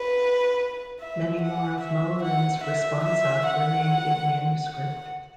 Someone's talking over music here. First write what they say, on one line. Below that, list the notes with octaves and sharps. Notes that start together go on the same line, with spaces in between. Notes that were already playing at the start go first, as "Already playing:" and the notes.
Many more of Moelin's "responsa" remained in manuscript.
Already playing: B4
E5
F#5
E5
F#5
E5
E5
F#5
F#5